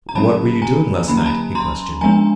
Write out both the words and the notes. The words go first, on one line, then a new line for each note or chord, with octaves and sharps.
"What were you doing last night?" he questioned.
A#5
D3 F#3 A#3 C#4 A5 B5
G#5 A#5
D3 F#3 A#3 C#4 B5
A#5
A5 B5
A#5 C6
F3 G#3 B3 D4 G#5 A#5